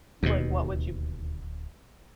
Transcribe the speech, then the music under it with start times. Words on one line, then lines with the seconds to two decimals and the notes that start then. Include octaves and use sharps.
Like, what would you
0.23 D1 D#2 B2